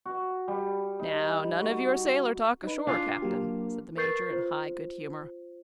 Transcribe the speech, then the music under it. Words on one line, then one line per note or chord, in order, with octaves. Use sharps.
"Now none of your sailor-talk ashore, Captain," said the Major, in high good humour.
F#4
G3
D#4
F#4
D#4 B4
D4 F4 F5 G#5
F#3 A#3 G4
A#4 B4 C#6 G6 A6 C7
F4 C5